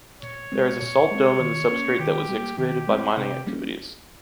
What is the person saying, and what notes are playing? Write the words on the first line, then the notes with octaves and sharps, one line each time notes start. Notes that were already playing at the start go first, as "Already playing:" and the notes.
There is a salt dome in the substrate that was excavated by mining activities.
A#2 C#5
G#3 C4
A#2 C#5
G#3 C4
D#3
A#3 C#4
D#3 G4
G3 A#3
D#3 G4
G#3 C4
C3 G4
G3 A#3 C#4